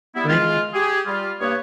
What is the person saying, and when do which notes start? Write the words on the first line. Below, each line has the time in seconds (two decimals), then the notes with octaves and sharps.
my thing.
0.16 G3 B3 E4
0.28 G#3 F4
0.74 G4 G#4
1.07 G3 F4
1.41 G2 A#3 B3 C#5